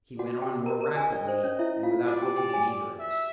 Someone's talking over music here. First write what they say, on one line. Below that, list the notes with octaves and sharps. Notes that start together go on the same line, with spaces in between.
He went on more rapidly, and without looking at either of us.
F#4 D5 F#5
G4 G5
A#4 D#5 A#5
A#4 A#5
G#4 G#5
D4 D5
C5
C#4 C#5
E4 E5
F4 F5
F#4 D5 F#5
G4 G5
G4 G5
G#4 G#5
E5